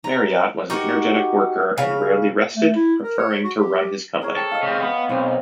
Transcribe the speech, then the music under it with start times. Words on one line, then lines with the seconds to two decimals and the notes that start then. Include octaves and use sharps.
Marriott was an energetic worker and rarely rested, preferring to run his company.
0.04 A#5
0.70 D#4 F#4 G4 A#4
1.78 C#3 F5
2.56 A3
2.76 E4
3.03 A#4
3.18 C#5
3.44 F#4
3.58 G4
4.22 G#4 A#4 C#5
4.36 A4 G5
4.51 D#5 F5
4.63 C#3 C4
4.81 B3
5.09 B1 C4